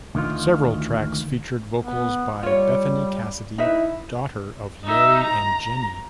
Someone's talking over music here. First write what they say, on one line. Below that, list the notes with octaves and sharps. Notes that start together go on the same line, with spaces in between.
Several tracks featured vocals by Bethany Cassidy, daughter of Larry and Jenny.
D2 D#3 F4
B3
G3 F4 C#5
D#4 E4 B4 E5
D#4 E5
A#5